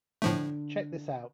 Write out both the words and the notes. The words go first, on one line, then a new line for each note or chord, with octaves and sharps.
Check this out.
A2 D3 F3 A3